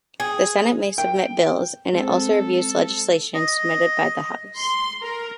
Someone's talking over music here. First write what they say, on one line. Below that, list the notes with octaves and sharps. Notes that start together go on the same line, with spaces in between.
The Senate may submit bills, and it also reviews legislation submitted by the House.
G#4
G5
G#3 C4 A4
D#5
C6
A#4